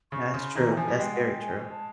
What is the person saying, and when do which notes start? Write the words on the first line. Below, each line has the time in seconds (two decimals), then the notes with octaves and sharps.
That's true, that's very true.
0.12 C#3 C#6
0.34 C#3 C6
0.55 D#3 A#5
0.66 E3
0.72 G5
0.77 F3 G#5
0.88 G3
0.99 G#3 G5
1.13 F#5
1.28 G5
1.42 G#5
1.51 G5
1.57 G#5
1.71 A5